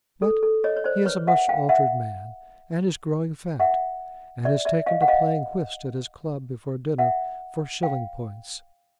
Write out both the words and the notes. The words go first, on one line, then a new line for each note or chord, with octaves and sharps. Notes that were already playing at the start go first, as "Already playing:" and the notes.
But he is a much altered man, and is growing fat, and has taken to playing whist at his club before dinner for shilling points.
A4
A4
C#5 D#5
C#5
C5 D5
B4 C#5
E5 F#5
F5 G5
E5 F#5
E5 F#5
D5 E5
D5 E5
D#5 F5
F#5
D#5 F5
E5 F#5
F5 G5